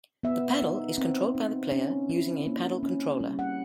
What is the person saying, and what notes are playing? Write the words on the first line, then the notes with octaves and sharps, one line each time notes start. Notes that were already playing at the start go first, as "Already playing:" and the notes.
The paddle is controlled by the player using a paddle controller.
B3 E5
D#4
C4
D#4
C#4
E4
A#3
C#4
G3
F#5